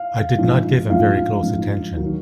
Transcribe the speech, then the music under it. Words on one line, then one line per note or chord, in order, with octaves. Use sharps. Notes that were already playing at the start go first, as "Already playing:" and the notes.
I did not give him very close attention.
Already playing: F5
A#1 G#2 F3
A#1 G#2 F3 F5
A#1 G#2 F3
D#2 D#3 F#3